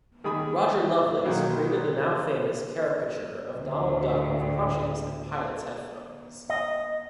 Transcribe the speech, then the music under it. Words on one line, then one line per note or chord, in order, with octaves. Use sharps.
Rodger Lovelace create the now-famous caricature of Donald Duck with crutches and pilot's headphones.
D#3 G3 G#4 B5 D#6
B1 D#3 F#3 A#3 G4 F5
D2 A2
D#5